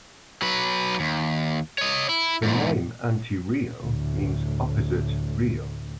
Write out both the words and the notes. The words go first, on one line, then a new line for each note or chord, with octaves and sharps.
The name Antirrio means "opposite Rio".
F#3 B4
D#2
C#5 D#5
E4
E2 G#2
D2 A2